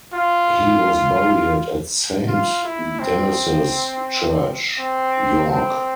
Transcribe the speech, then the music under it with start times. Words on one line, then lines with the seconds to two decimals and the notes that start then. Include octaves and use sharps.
He was buried at Saint Denys's Church, York.
0.13 F4
2.28 F4
2.64 E4
2.99 C4
4.79 C4
5.50 C4